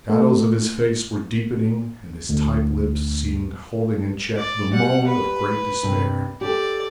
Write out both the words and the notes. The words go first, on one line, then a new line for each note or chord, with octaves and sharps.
The shadows of his face were deepening and his tight lips seemed holding in check the moan of great despair.
A3
D2
D5
G3 F#5
B4
G2 C3
G4 A4 D5